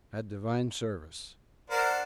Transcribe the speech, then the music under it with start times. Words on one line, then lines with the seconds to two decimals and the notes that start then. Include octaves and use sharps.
Had Divine Service.
1.70 D4 A#4 C5 F#5